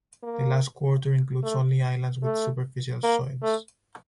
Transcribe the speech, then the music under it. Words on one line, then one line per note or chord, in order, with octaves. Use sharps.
The last quarter includes only islands with Superficial soils.
A#3
A3
A3
A#3
A3